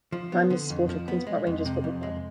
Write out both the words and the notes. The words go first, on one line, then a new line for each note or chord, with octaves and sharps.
Nyman is a supporter of Queen's Park Rangers Football Club.
F3
B3
D3
F2
F3
B3
G#3
F2
C3
F2
G#3